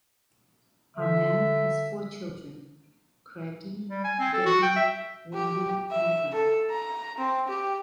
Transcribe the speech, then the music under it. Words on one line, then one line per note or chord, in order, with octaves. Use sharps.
Armand has four children: Craigie, Debbie, Wendy, and Rab.
D3 E5
G3
G#5
C4
A4
F#4
G5
E5
G4
E5
A4
A#5
C4
G4